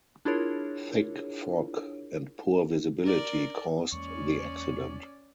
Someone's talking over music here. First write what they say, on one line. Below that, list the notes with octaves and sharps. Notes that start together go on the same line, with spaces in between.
Thick fog and poor visibility caused the accident.
D4 E4 F4 G#4 A#4 C#5
A#4 D5
E2 G#3 A#3 C#4 D5 C#6